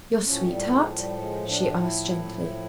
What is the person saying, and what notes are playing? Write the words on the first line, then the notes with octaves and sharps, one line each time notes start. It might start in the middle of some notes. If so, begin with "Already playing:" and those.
"Your sweetheart?" she asked gently.
A2 F3 C#4
G3
G#3
G3
G#3
D4
D#4
E4